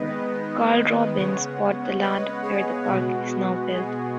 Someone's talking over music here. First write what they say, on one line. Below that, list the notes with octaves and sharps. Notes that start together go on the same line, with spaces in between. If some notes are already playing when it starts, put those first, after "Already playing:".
Karl Robbins bought the land where the park is now built.
Already playing: D#3 G#3 B3 B4 D#5
C#3 G#3 B3 C#5 F#5
B4 D#5
G#4 C#5
B2 G#3 B3 F#4
G#4